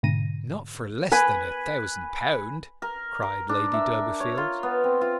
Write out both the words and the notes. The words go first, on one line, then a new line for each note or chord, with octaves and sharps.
"Not for less than a thousand pound!" cried Lady Durbeyfield.
G#2 B2 D3 A#6 D#7
B4 G#5
A#4
A#4
D4
E5
C#5
F4
B3
C4
F4